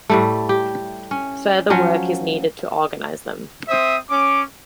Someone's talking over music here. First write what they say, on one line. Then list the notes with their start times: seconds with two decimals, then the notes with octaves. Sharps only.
Further work is needed to organize them.
0.10 A2 G3 A3
0.49 G4
1.11 C#4
1.70 F3 F#3 C#4
3.69 C4 C5 E5 D#6
4.10 C#4 D6